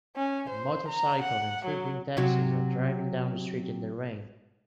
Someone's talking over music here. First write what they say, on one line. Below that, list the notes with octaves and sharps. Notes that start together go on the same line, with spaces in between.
A motorcycle and two green taxis are driving down the street in the rain.
C#4
C5
A#5
F#5
F#3
C3 F#3 F#4